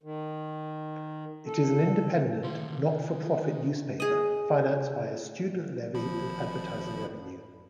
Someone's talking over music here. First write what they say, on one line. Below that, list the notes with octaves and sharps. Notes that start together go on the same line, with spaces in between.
It is an independent, not-for-profit newspaper financed by a student levy and advertising revenue.
D#3
A4
D#3 C6
G#4 D#5
G#1 F3 B5